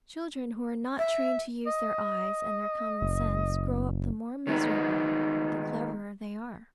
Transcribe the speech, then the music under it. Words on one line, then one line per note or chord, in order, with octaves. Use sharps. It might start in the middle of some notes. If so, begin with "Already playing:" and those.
Children who are not trained to use their eyes and their common sense grow up the more miserable the cleverer they are.
E5
D#5
F#1
D#3 G#3 B3 D#4